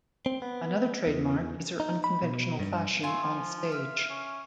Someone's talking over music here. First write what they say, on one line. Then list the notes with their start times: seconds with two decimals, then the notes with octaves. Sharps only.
Another trademark is her unconventional fashion on stage.
0.26 C4
0.42 B3
1.07 E2
1.80 D#4
2.04 B5
2.22 B2
2.60 G2
3.03 A3 F4 G#5 C6
3.22 F3
3.72 E5 F5
4.10 C#4